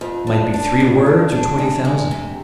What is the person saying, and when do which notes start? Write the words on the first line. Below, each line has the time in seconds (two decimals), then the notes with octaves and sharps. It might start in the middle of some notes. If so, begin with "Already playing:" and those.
It might be three words or twenty thousand.
0.01 F2
0.27 D4
0.54 D4
0.80 F2
1.06 D4
1.32 D4
1.58 G#3
1.85 G#3
2.11 C3